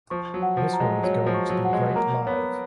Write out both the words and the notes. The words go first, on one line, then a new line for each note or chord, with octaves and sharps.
This one is going to be great live.
F3 C#6
F#3
F#5
F3
A#5
G#3
F#3 C#5
F3
C#6
F#3
F#5
G#3
A#3 A#5
B3 C#5